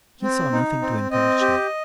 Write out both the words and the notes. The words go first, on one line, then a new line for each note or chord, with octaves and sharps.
He saw nothing to encourage him.
C4
D#4
C4
C4 D#5
G4